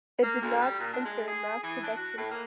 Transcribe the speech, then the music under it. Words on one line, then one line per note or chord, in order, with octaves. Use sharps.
It did not enter mass production.
A#3
D2
G3
A#2
D4
G#3
G#4
E3
D4
F#4
A2
A#3